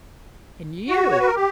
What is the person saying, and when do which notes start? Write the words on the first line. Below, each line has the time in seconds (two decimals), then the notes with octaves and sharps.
And you!
0.89 F#4
1.11 C#5
1.19 B4
1.27 A#4
1.35 G4